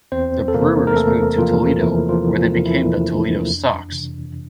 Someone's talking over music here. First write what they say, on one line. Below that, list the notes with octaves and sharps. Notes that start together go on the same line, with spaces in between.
The Brewers moved to Toledo, where they became the Toledo Sox.
E2 C4 C5
A4
C3 E3 A#3 A#4
A#4
E2 A3 A4
C3 E3 F3 A#3 F4
E2 E3 E4
F3 F4
C3 E3 A#3
F3 F4
E2 E3 E4
C3 E3 A#3 D4
F2
C3 E3